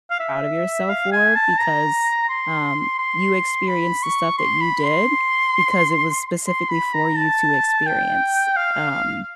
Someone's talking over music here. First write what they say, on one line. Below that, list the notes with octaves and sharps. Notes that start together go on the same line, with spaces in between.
proud of yourself for because, um, you experienced the stuff that you did because it was specifically for you to experience, um,
F5
E5
F5
G#5
A5
A#5
C6
C6
B5
C#6
C6
B5
C6
C6
B5
A#5
A5
G5
F5